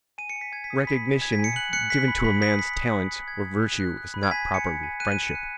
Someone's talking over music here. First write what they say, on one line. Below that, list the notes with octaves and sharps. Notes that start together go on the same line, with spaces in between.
Recognition given to a man's talent or virtue is not properly friendship.
G#5 D#7
C#7
G#5
B6
G#5 G#6
B6
D#6
C#7
B5 B6
G#5
G#5 G#6
B6
G#5 C#7
F#6 F#7
F#6 C#7
F#6 B6
B5
B5 B6
D#6 B6
B5 B6
D#6
B5
F#6
B5 G#6
F#6
F#6
F#6
F#6
B5
G#6
G#5 B6
G#5
C#7
G#5
G#5
F#6 D#7
D#7
F#6
C#7
F#6